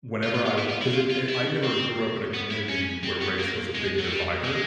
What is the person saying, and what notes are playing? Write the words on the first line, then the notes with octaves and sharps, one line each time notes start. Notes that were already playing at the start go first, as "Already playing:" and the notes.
whenever I w 'cause it it I never grew up in a community where race was a big divider.
F4
F4
F4
E4
F4
E4
F4
F4
E4
C4
B3
E4
C#4
C4
B3
A#3
G#3
F#3
G3
G#3